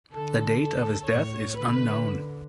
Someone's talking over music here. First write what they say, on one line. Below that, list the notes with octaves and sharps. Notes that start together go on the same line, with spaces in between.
The date of his death is unknown.
D3 A4
A4
A2 C#5
D3 B4